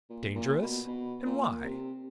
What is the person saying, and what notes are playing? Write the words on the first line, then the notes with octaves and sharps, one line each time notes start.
"Dangerous!--and why?"
A#2
A#2
B2
B2
A#2
C3